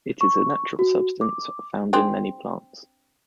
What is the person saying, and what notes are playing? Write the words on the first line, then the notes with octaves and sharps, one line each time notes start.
It is a natural substance found in many plants.
C#6
F#4
D6
C4 D4 G#4